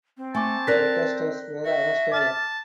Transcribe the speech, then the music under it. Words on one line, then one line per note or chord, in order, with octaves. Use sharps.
Protesters were arrested.
C4
A3 G#5 A5 C#6 D6
A4 A#4 D5 F#6 A#6 B6
F#4 E5
A5 D6 F6 A6